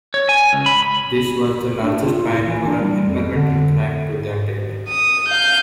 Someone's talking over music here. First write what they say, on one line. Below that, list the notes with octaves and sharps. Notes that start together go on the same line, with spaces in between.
This was the largest fine for an environmental crime to that date.
C#5
G#5
C#2
B5
B5
D4
F4
E4
E3
D4
G3
F2
D3
D#6
F5 G6